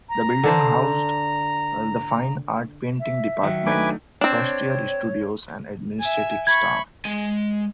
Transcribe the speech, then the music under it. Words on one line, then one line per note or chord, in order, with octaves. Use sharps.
The building housed the Fine Art Painting department, first year studios and administrative staff.
A#5
D3 D4 C5
E5
D#3 F#3
A3 D4 D#4 B4 G#5 D6
C4 D4 C#5
E5 G#5
B5 C#6 G#6
G#3 G#5